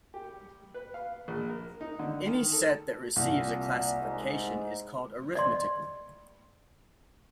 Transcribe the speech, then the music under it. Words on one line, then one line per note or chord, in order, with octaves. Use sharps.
Any set that receives a classification is called arithmetical.
G4
B4
F5
A#1
A#4
D#4
D3
D#3
A4
C2 A#2
G#2
D5 D#5 C6